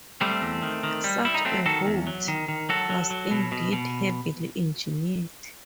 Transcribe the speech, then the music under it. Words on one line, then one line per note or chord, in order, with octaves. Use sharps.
Such a route was indeed heavily engineered.
G3 A3 C4
E2
D#3
D#3
G3
G3 E4
D#4
F#3 A3 C4
D#3 F#4 A4
E2
F#3
D#3
D#3
F#3 F#4 A4
F#3
F#3
B2
B2
B2